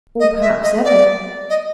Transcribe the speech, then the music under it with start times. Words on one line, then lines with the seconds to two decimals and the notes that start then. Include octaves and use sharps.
"Or perhaps ever."
0.20 D#5
0.41 E5
0.63 D#5
0.84 D5
1.50 D#5